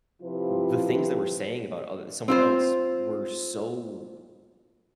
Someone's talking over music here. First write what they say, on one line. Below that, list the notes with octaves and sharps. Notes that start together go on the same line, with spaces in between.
the things they were saying about oth someone else were so
C3 F3 E4 F4 G4 B4
C4 F4 C5